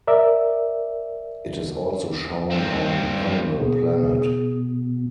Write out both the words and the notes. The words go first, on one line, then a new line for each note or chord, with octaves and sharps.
It is also shown on Animal Planet.
A#4 D5 E5
G2 C4
B2 G#4